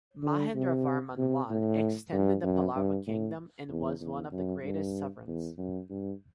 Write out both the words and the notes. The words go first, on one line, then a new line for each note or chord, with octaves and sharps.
Mahendravarman I extended the Pallava Kingdom and was one of the greatest sovereigns.
D3
C3
C3
A2
G2
F#2
G2
A2
E2
E2
F#2
G2
E2
F#2
G2